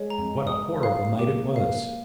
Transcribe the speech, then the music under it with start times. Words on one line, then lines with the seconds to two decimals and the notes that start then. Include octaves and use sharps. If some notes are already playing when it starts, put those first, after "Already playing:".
And what a horrible night it was!
Already playing: G#3 C#5
0.10 A#5
0.47 D#6
0.83 F5
1.19 A#3 G4
1.56 F5